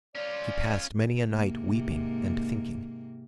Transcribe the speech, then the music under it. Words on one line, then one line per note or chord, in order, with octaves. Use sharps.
She passed many a night weeping and thinking.
C#4 F4 D5
G#2 C3 A#3